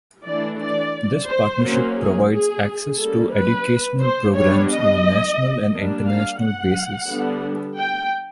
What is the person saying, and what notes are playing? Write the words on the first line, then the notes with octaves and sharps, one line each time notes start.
This partnership provides access to educational programs on a national and international basis.
E3 A3 D4 D5
D5
C5
F#3 A#3 C#4
G#4
G#4
G3 A#3 C#4 A4
B4
C5
G3 B3 D4 C#5
D#5
G3 A#3 D4
F5
F#5
D3 G3 B3 D4
G5